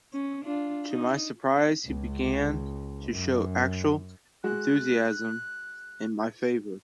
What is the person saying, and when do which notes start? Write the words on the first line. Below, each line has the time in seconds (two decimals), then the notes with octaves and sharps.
To my surprise he began to show actual enthusiasm in my favor.
0.13 C#4
0.44 D4 F4
0.91 D#4
1.86 C#2
3.11 F#2
4.44 G#3 F#4 F#6